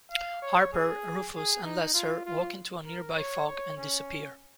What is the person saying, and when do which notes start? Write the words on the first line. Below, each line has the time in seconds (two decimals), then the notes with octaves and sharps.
Harper, Rufus and Lester walk into a nearby fog and disappear.
0.11 F5
0.42 C#5
0.73 G#4
1.33 G#4
1.64 D#4
1.94 F4
2.25 F4
2.85 A#4
3.17 C#5
3.48 C#5
3.77 C#4